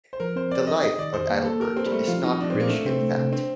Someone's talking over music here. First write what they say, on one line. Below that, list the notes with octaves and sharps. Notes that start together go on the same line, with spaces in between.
The "Life" of Adalbert is not rich in fact.
C5
F3 A#4
C4 C5
C4 D5
G4 D#5
D#4 D#5
D#3 D5
F2 C5
A#3
A#3 A4
G4 A#4
C4 G4
G3
A3 G4
F3 F4
C4 D#4
F3 D4
A#2 C4
A#3
A3 D4
C3 C4
A3
C3
C4 D4